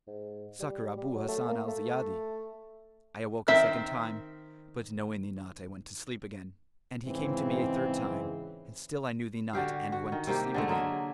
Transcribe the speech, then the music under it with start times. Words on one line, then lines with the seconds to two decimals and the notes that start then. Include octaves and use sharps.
Succour Abu Hassan al-Ziyadi.' I awoke a second time, but knowing thee not I went to sleep again; and he came to me a third time and still I knew thee not and went to sleep again.
0.07 G#2
0.60 G3
0.97 G3
1.15 F#3
1.28 A3
1.48 A#3
1.68 A3
3.48 D#3 C4 E5
7.05 G#2 C#3 E3 C4
9.53 D3 F#4 G4 F5
9.92 F#4
10.12 D#3
10.27 C3 A#3 G4
10.54 D3 G#3 A3
10.68 F#3 A#3 G#4 E5